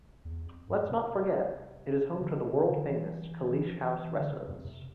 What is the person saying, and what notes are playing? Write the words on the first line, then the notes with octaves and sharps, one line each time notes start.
Let's not forget, it is home to the world-famous "Caliche House" residents.
E2
F2
G#2
C3
D3
C3
D3
E3
E3
F3
E3
E3
D3
C3
F2
C3